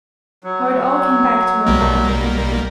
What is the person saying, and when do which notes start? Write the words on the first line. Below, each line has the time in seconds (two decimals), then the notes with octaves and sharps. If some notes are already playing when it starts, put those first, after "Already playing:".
How it all came back to her now!
0.44 F#3
1.66 B1 G3 A#3